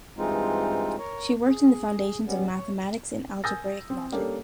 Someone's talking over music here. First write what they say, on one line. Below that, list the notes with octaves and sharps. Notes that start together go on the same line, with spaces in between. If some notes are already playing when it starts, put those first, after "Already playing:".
She worked in the foundations of mathematics and algebraic logic.
G2 E3 G#3 C4 D#4 F4
A#4 C#5
G#4
G3 B3 C#4
C#5
G#5 D#6 E6 G6 A6 A#6
C4
G3 A#3 C#4 D4 G4 A4